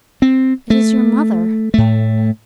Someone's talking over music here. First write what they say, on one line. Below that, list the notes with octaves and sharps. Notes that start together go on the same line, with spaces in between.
"It is your mother!"
C4
A3
A2 A3